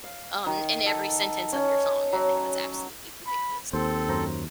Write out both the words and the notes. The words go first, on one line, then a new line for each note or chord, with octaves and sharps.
um, in every sentence of your song." I think that's absolutely ridiculous.
F5
D#3
A4
C#4
F#3
B5
D#2 C4 A4 C5
F#2 C5 A#5